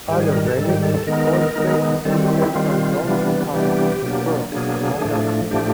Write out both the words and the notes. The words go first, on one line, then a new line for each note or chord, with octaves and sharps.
Other venues of sports day include Aspire Zone, Katara, The Pearl, among others.
G#2 D#3 G3 G4
G#4
A#4
A4
G#2 D#3 G3 A4
G4
A4
A4
D#3 G#3 B3 D#4 A#4
D#3 G#3 B3 D#4
D#3 G3 C4 A4
F#4
E4
E4
D#3 G3 C4 F4
C3 E3 G3 B3 D4
C3 E3 G3 B3 D4 G4
B2 F#3 A#3 D4
B2 F#3 A#3 D4 G#4
A2 F3 A3 D4
A2 F3 A3 D4 G4